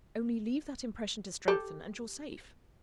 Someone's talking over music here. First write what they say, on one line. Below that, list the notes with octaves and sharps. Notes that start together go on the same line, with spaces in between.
Only leave that impression to strengthen, and you're safe.
G4 A4